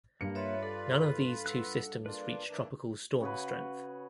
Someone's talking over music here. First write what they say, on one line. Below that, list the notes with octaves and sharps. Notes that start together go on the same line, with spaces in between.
None of these two systems reached tropical storm strength.
G2 A#3 C#7
F4 B4 C#5 E5
A4 D5
F#5 E6 F#6
A#3 D4 F4 B4 D5
E3 A#3 D4
C#3 F#4 G#4 B4